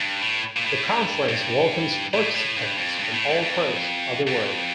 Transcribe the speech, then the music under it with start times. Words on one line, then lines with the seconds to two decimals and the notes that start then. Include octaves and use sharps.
The conference welcomes participants from all parts of the world.
0.01 G2
0.22 A2
0.57 A#2
0.65 A2
0.86 G2
1.28 G2
2.14 A2
2.35 A2
2.57 G2
2.78 F2
2.99 G2
3.14 A2
3.29 G2
3.42 F2
4.27 F2